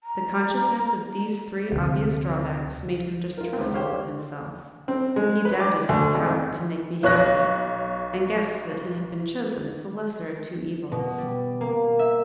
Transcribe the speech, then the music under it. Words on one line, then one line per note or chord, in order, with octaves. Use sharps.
The consciousness of these three obvious drawbacks made him distrustful of himself; he doubted his power to make me happy, and guessed that he had been chosen as the lesser of two evils.
A#5
D2 C3
F4 A#4
C#2 D#3 C5
G4 C5 C#5 F5
C4
G#3
B4
D6
D2
G#1
B1 C#5 F#6 A#6
B2
G3
A#3
E5